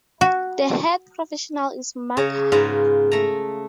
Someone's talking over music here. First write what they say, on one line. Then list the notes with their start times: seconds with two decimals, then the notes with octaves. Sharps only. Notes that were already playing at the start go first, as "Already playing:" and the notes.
The Head Professional is Mark Heartfield.
0.21 F#4
2.17 C#3 C#5 A#5
2.52 G#2 C#3 F4 B4 A#5
3.12 A3 A#5